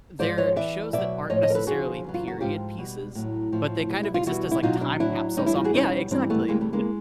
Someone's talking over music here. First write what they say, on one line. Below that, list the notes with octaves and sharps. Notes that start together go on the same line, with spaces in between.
they're shows that aren't necessarily period pieces, but they kind of exist as, like, time capsules on Yeah, exactly, it
G#2 F3 C5 D5
C#5 D#5
E2 C#3 E3 D5 E5
B2 F#3 D5 E5
A2 F3 C#5 D#5
C#5 D#5
A#4
A4 B4
F2 D3 F3 F#4 G#4
E2 C#3 F#3
F4
F#4
G#2 F3 F4 G4
B2 G3
A2 F#3
A2 F3
B2 G3
E4
F4
E2 B2 G3 E4 F#4
E4
B2 F#3 D#4 F4
D4 E4
A2 F#3 D4 E4
G2 E3 G3 C#4 D#4
D4 E4
D#4 F4
F#4 G#4
E2 B2 G3 C#4 D#4
G#2 E3 G3 C4 D4
A3 B3
E2 C3 E3 G3 G#3 A#3
G3 A3
G#3 A#3